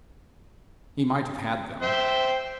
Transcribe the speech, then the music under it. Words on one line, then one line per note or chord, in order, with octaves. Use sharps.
He might have had them.
C5 E5 G5